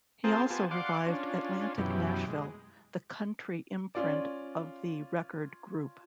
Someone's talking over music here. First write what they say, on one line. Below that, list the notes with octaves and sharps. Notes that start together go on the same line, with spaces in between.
He also revived Atlantic Nashville, the country imprint of the record group.
C4 F4 G#4 A#4 C5 A5
B3 F4 G4 G#5 A5
D5 F5 F#5 C6 D6
C#4 D4 F4
F#2 B2 E3 G4
G#3
C#4 F4 D5